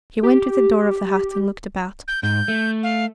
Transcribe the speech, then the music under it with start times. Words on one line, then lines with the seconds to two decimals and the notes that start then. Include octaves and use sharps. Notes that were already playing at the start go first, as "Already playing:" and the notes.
She went to the door of the hut and looked about.
0.23 G4
2.08 G6
2.23 G#2 G6
2.48 A3
2.83 F5